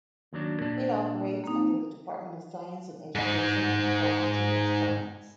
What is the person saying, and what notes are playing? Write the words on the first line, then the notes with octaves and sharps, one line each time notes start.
It operates under the Department of Science Education at the Faculty of Science.
D#2 F#3 D4
A#2 D4
A#3 C4 D#4
G#2 D#4